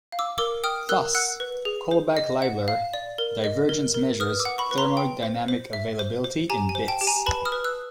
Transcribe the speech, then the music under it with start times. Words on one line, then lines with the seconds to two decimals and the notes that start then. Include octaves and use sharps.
Thus Kullback-Leibler divergence measures thermodynamic availability in bits.
0.12 F5
0.19 D6 E6
0.38 A#4 D6 E6
0.64 G5 D#6 F6
0.89 A#4 E6 F#6
1.14 F#5 E6 F#6
1.40 B4
1.65 G#4
1.91 C5
2.17 D#5
2.42 F#5
2.68 F5
2.93 D5
3.18 A#4
3.44 D#5
3.69 A#4
3.94 A#4
4.20 B4 D#6 F6
4.39 D6 E6
4.45 F#5
4.58 B5 C#6
4.71 B4
4.78 A#5 C6
4.97 G5
5.23 C5
5.48 C5
5.73 E5
5.99 C5
6.24 C5
6.50 G4 G#5 A#5
6.69 G#5
6.75 C5
6.88 G5 A5
7.01 G4
7.07 G#5 A#5
7.26 B4 A5 B5
7.45 D#6 F6
7.52 B4
7.64 E6 F#6